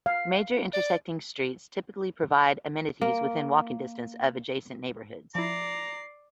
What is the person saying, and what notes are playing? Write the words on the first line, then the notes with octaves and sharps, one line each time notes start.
Major intersecting streets typically provide amenities within walking distance of adjacent neighborhoods.
F5
D5
A#3
F3 E4 D5 A#5 C7